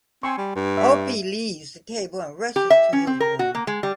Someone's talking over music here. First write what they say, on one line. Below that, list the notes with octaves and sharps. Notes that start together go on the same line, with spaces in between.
Opie leaves the table and rushes to his room.
C4 G#5 C6 C#6
G3
G2
E5
G4
E5
C#4
C4
A#4
F#4
A#3
G#3
G3